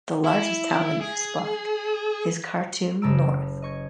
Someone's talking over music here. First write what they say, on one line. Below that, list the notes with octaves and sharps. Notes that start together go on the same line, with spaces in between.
The largest town in this block is Khartoum North.
E4
G#4
F#4
F#1 C#3 A4 A#5 E6 D7
D#5 C#6 G#6